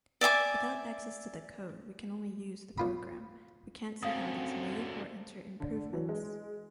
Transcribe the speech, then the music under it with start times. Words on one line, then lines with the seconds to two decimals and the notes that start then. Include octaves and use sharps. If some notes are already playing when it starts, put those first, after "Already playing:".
Without access to the code we can only use the program, we can’t see how it is made or enter improvements.
0.21 D5 E5 G#5 D6
2.78 B1 F4 B5
4.03 F#2 D3 C4 F5 D#6
5.60 D3 D5
5.93 E3 F#3
6.09 G#3